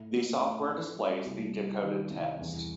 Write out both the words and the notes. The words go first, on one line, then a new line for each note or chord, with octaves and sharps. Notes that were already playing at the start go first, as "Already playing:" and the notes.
The software displays the decoded text.
Already playing: A2
A3
A2
C4
G3
C2
G3
D#3
C2
E2